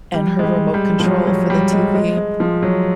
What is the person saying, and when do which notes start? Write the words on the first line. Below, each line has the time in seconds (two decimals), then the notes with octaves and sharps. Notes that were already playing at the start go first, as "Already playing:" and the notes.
and her remote control for the TV.
0.14 G3
0.39 G#3
0.44 G3
0.74 G3
1.00 F3
1.04 F#3
1.27 F#3
1.50 G3
1.73 G#3
1.95 G#3
2.17 G#3
2.40 F3
2.62 F#3